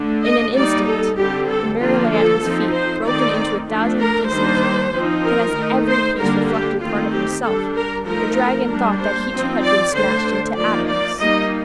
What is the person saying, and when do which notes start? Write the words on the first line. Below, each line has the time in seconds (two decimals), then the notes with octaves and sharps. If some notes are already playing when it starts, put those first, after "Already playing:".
In an instant the mirror lay at his feet broken into a thousand pieces, but as every piece reflected part of himself, the dragon thought that he too had been smashed into atoms.
Already playing: D3 A3 D4
0.23 D#5
0.54 G3 A#3 D#4 D5
0.86 A4
1.17 D3 G3 C4 G4
1.48 A4
1.80 D3 F3 A#3 D4 F4
2.11 A4
2.42 F3 C4 D#4
2.74 C5
3.05 D#3 A3 C4 D#4 D5
3.68 F3 A3 D4
3.99 A#4
4.30 D#3 G3 A#3 D4 C5
4.93 F3 C4 D#4
5.24 A#4
5.55 D#3 A3 D#4
5.87 C5
6.18 D3 G3 A#3 D4 A#4
6.50 G4
6.80 D#3 A3 C4 F4
7.12 G4
7.43 G3 D4 A4
7.75 A#4
8.05 F3 A3 D#4 A#4
8.69 G3 A#3 D4
9.00 C5
9.31 F3 C4 D#4
9.62 D5
9.93 D3 A3 D4 C5
10.56 F3 A#3 D#4 D5
10.88 D5
11.18 G3 A#3 D#4 D#5